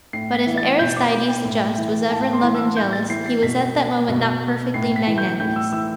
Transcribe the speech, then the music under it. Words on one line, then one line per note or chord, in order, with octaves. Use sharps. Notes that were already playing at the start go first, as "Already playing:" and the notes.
But if Aristides the Just was ever in love and jealous, he was at that moment not perfectly magnanimous.
A2 C7
B6
E3
A6
B2 G6
D6
D6
G5
A2
E3
A2 A5
C6
E3
E6
A2 G6
A6
E3 C7
C7
B2 B6
B2
A2 C7
B6
E3
G6
A2 G6
E6
E3 E6